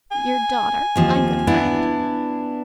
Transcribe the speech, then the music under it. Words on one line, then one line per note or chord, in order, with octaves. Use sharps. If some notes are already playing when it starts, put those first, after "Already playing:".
"Your daughter, my good friend?"
G#5
D#2 F3 C4
B3 D4 E4